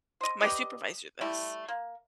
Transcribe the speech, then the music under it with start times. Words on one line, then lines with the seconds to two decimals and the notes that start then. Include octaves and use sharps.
my supervisor this.
0.21 C5 D#5
0.41 G4 B4 D5 D#5
1.21 G3 A3 E4
1.68 A#3